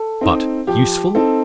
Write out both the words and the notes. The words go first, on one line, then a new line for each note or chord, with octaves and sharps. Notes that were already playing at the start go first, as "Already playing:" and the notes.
But, USEFUL?
Already playing: A4
C4 D#4
F3 G4
C4 D#4 A4